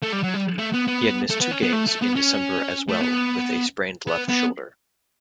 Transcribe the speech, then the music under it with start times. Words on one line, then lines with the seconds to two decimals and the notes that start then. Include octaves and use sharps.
He had missed two games in December as well with a sprained left shoulder.
0.03 A3
0.13 G3
0.24 F#3
0.34 G3
0.59 A3
0.74 B3
0.88 B3
1.30 A3
1.41 B3
1.51 C#4
1.63 B3
1.73 A3
1.87 A3
2.01 B3
2.16 C#4
2.89 A3
3.01 B3
4.07 B3
4.29 B3